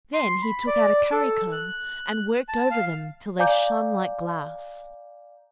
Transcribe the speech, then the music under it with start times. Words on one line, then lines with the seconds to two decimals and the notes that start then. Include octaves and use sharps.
Then he took out a currycomb and worked over them till they shone like glass.
0.14 C6
0.42 B5
0.67 D5
1.12 A4
1.52 F#6
2.49 A5
2.71 F5
3.39 D5 F5 G#5 A#5 D6 G6